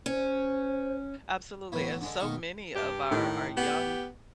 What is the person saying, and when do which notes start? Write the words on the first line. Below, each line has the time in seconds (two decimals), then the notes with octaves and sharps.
absolutely, and so many of our our young
0.06 C#4 C5
1.72 A2 E3 F#3 B3
2.01 D3 G#3 D4
2.19 B2 D#3 D#5 F5 C#6
2.76 G2 G4
3.11 A2 D#3
3.57 B3 G4